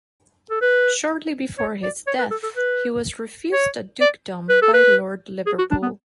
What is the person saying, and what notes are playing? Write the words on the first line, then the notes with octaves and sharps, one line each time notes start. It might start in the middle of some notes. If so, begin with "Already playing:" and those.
Shortly before his death, he was refused a dukedom by Lord Liverpool.
A4
B4
C#5
D5
C#5
B4
A4
A4
B4
C#5
D5
B4
A4
B4
G#4
F#4
D4
B3